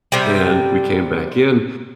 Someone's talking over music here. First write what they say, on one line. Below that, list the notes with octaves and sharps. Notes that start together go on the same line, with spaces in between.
And we came back in,
C3 G3